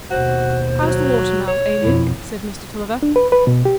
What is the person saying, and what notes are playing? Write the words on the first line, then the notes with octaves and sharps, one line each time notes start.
"How's the water now, eh, Luke?" said Mr. Tulliver.
D#2 B2 F#4 C5
F#3
C#5
F2 B2 E4
D4
B4
B4
B2
G4